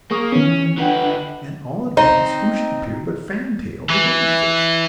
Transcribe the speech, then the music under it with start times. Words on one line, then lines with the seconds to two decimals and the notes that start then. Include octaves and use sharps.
And, all at once, who should appear but Fan Tail, the gold fish.
0.11 A#3 G#4 C#6 D#6
0.33 D#3 B3 C#4
0.46 E3
0.78 D3 D4 B4 F#5 G5
1.97 C4 D#4
3.90 E3